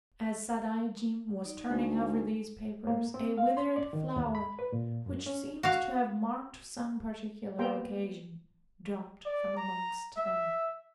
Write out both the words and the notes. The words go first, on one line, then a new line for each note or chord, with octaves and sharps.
As Sadaijin was turning over these papers a withered flower, which seems to have marked some particular occasion, dropped from amongst them.
D#4 D5
D2 G#3 D#4 G#5
A#3
C4
F5
C6
D5
D#3
D#2
B5
B4
A#2
F#2
C#4
F#4 F5
A#3 B3 G4 C5 G5 A#5
D5
A#5
E5